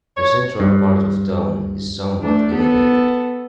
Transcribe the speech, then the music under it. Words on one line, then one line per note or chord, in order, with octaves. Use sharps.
The central part of town is somewhat elevated.
C#5
G2
A3 D4
B3 A4